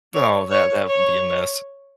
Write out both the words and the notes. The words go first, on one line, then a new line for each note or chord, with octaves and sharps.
Oh, that that would be a mess.
C#5
C#5
C#5